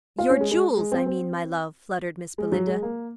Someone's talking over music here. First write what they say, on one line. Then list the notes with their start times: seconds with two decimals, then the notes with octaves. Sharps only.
"Your jewels, I mean, my love," fluttered Miss Belinda.
0.18 F4
0.30 C#4
0.41 G#3
0.51 G#3
0.77 G#3
0.92 C4
1.06 C4
2.38 G#3
2.52 F#3
2.67 G#3
2.82 A#3